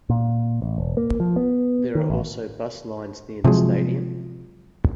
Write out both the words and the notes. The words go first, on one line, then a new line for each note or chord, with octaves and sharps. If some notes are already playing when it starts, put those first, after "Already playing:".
There are also bus lines near the stadium.
A#2
A1
E1
A#3
F3
B3
D#3
A1
C3 F3 F#3 G#3